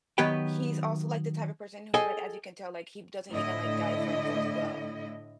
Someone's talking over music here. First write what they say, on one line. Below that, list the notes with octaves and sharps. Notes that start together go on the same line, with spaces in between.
he's also, like, the type of person who, like as you can tell, like, he doesn't even like guy friends as well.
D#3 F#3 B3 G4 B4 G5
G#4 A4 D#5 G5 G#5
A2 D3 E4 D#5